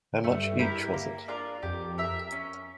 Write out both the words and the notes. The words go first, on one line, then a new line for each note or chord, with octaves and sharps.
How much each was it?
G2 A3
E4 G4 A#4
A#3
D4 F4 A#4
F2 G4
A#4 E5
C#4